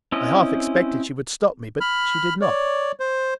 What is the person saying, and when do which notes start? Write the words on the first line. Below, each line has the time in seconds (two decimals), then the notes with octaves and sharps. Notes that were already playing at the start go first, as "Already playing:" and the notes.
I half expected she would stop me, but she did not.
0.12 C4 C#4 E4 D#5
1.80 B5 F6
2.41 C#5 D5
3.00 C5